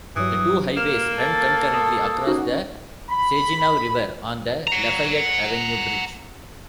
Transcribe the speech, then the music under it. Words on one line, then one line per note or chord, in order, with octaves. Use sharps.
The two highways run concurrently across the Saginaw River on the Lafayette Avenue Bridge.
G2 E3 F#3 D#6
A#3 F6 E7
A4 A6
A5 D#6
C#4 D#4 F#4
B5
F#5 A#5